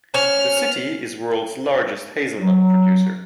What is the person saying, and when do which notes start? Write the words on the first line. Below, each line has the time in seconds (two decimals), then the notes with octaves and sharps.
The city is world's largest hazelnut producer.
0.14 C#4 F6
2.39 F#3